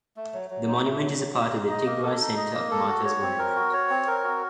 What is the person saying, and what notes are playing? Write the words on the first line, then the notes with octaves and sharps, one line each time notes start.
The monument is a part of the Tigrai Centre of Martyrs Monument.
A3
F#3
F#3
D#4
A3
F#3
F#3
D#4
D#4
D#5
A#3
A4
D#4
D#5
A#3
A4
F#4
C#5
C4
A#4
F#4
C#5
C4
A#4
F#4